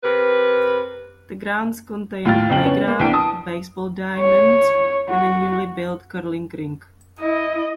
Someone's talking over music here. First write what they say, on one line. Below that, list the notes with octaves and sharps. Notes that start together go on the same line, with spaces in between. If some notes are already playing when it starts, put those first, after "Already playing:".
The grounds contain a playground, a baseball diamond and a newly built curling rink.
C3 A#4 B4
D#2 A2 F4 G5 F6 A6
F2 C#3 G5 F#7
B3 C#4 C#5
A#3
C2 E3 D4 G5 D7
A5 D#6
C#5
F#4
E4 D#5